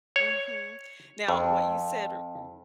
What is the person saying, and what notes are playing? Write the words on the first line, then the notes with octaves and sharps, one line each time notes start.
Mhm, now, what you said, r r
C#5
F2